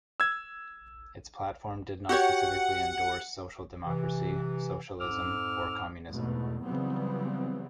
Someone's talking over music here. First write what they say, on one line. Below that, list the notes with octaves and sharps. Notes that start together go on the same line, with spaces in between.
Its platform did not specifically endorse social democracy, socialism, or communism.
E6 G#6
F#4 G4 C#5 F#5
C3 E3
F2 G#2 D6 E6 F6
F1 E2 G#2 B2 A3
C#3 E3 F#3 G3 B3 C4